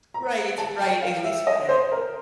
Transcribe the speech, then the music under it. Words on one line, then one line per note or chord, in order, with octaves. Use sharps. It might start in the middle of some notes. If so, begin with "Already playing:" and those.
Right, right, at least for that
A#5
A5
G5
F5
E5
D#5
C5
A#4